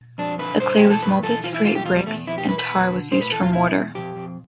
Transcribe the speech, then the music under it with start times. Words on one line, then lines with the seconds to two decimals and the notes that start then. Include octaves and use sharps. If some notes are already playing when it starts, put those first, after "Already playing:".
The clay was molded to create bricks, and tar was used for mortar.
0.18 F2 D4
0.39 D3 B4
0.60 G2 C5
0.77 E3 G4
0.90 A4
1.02 G2 B4
1.23 E3 A4
1.44 E3 F4
1.54 E4
1.65 E3 F4
1.75 G4
1.85 E2 F4
1.96 G3
2.07 E2 A3
2.27 F2 E4
2.38 G4
2.48 E3 B4
2.58 B4
2.69 E2
2.91 D3
3.11 A2 C5
3.22 B4
3.32 E3 A4
3.43 F4
3.53 B2 E4
3.74 E2
3.95 F2 G4
4.16 F2